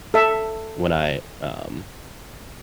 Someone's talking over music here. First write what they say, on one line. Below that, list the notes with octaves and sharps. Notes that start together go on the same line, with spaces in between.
when I um
A4 E5